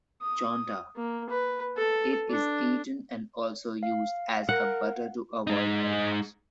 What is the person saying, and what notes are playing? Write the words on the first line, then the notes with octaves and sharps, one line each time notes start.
Chonta: It is eaten and also used as a butter to avoid hair loss.
D#6
A#3
B4
A4
D4
F5
A#4 F#5
G#3 D#4